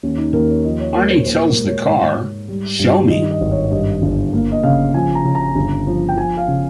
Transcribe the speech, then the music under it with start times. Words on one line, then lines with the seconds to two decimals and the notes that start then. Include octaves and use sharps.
Arnie tells the car, Show me.
0.03 D#2 C#4
0.18 D#4
0.34 D#2 A#4
0.50 C#5
0.64 F3 D#5
0.79 C#5
0.95 A#3 A#4
1.11 C5
1.18 C#5
1.26 A#2 C5
1.46 A#4
1.57 G#3
1.67 C#5
1.87 G#2
2.18 G#2
2.48 G3
2.79 G2
3.10 D#3 D#5
3.31 D#5
3.41 G#1
3.51 C#5
3.71 G2 D#5
4.02 G1
4.33 A#3
4.52 D#5
4.63 C#3 F5
4.94 F3 G#5
5.15 A#5
5.24 C#3
5.35 A#5
5.55 G1
5.87 F3
6.08 G5
6.17 F3 G#5
6.37 F5
6.48 C#3